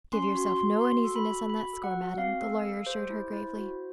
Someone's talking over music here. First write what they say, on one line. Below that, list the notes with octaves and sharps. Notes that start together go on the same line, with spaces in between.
"Give yourself no uneasiness on that score, madam," the lawyer assured her gravely.
C#4 C6
F#4
C6
F#4
F#4 C6
A4
B5
F#4
F#4 B5
A4
F#5
F#4
C4 F5
A4
A4
G4 C5
E4
E4
F#4